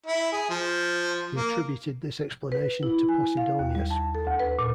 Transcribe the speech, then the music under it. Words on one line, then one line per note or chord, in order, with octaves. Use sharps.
He attributed this explanation to Posidonius.
E4
G#4
F3
A#3
B4
E4
G#5
F5
D#2
G3
A5
A4
D2
B4
A#2